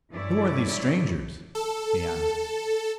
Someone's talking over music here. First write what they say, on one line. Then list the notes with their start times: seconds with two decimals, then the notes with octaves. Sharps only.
"Who are these strangers?" he asked.
0.13 G2 E3 E4 C#5 D5
1.55 A4